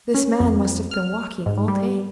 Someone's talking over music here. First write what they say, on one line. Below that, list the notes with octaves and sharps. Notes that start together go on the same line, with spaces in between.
This man must have been walking all day.
C#4
F2
F6
G#2
G3